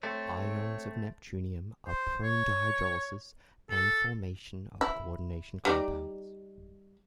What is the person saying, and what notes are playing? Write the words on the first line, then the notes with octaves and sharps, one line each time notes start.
Ions of neptunium are prone to hydrolysis and formation of coordination compounds.
A3 C4 C#5
C5
C#5
A4
E4
G3 D#4 D5